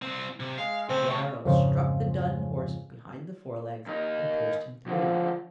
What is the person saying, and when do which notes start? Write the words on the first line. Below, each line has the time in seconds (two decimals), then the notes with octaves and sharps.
The arrow struck the dun horse behind the forelegs and pierced him through.
0.02 C2 C4
0.40 C3
0.58 G#3 F5
0.89 C#3 A3 C4
1.09 C#5
1.45 F2 G#2 C#3 F3
3.87 D#2 D#4
4.87 C#2 D3 F3